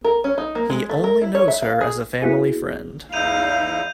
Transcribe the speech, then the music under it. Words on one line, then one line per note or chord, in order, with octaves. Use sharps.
He only knows her as a family friend.
A#4
C#4
D#4
A#3
G#3
A3
A#4
E4
C#5
E5
F5
G#4
B3 E4 F#4 G#4
E2 D#4 E4 F5 G6 D#7 F7